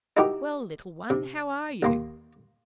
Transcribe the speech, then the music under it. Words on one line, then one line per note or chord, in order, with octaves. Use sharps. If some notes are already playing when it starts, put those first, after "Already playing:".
'Well, little one, how are you?
D#4 E4 F#4 G4 A#4
C3
D#2 A#3 C6